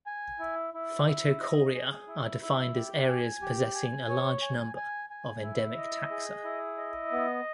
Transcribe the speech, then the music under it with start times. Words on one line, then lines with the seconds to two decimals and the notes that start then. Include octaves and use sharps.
Phytochoria are defined as areas possessing a large number of endemic taxa.
0.06 G#5
0.39 E4
0.74 E4
1.06 E4
1.40 D#5
1.74 G#4
2.08 E4
2.41 E4
2.75 G4
3.08 G#5
3.42 G4
3.75 G#5
4.09 C#5
4.42 G#5
4.76 G#5
5.10 G#5
5.43 E4
5.77 D#5
6.10 G#4
6.44 E4
6.77 D#5
7.12 B3